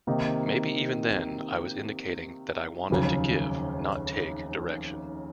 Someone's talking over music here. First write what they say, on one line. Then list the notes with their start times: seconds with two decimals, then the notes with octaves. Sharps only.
Maybe even then I was indicating that I wanted to give, not take, direction.
0.07 C3 D#3 A#3 D#4
2.90 F1 D#2 C#3 F#3